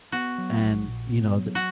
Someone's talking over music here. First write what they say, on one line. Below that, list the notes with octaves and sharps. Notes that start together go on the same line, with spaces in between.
And, you know, the
B3 F#4
F#3
A#1
A#2
B3
F#3
F#4